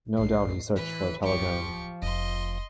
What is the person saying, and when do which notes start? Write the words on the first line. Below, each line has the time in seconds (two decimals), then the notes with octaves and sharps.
No doubt he searched for a telegram.
0.18 A#1 A2 C7
0.76 E3 B4
1.24 D1 C2 F3 G4 C#6
2.02 F1 D#5 C6